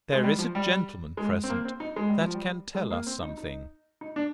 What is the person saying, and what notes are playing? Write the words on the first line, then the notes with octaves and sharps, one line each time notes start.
There is a gentleman present that can tell us something.
G#3
G3
F3
G3
G#3
C4
A#3
C4
D#4
G#3
G3
F3
G3
G#3
A#3
C4
D#4
D#4
D#4
D4